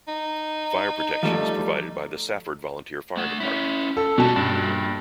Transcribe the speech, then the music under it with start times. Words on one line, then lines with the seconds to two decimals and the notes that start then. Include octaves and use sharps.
Fire protection is provided by the Safford Volunteer Fire Department.
0.08 D#4
1.23 F3 G3 A3
3.17 A3 F#5
3.40 C#4 E4
3.97 A4
4.18 B2 G3 F#4 A5
4.36 G2 A#2 D4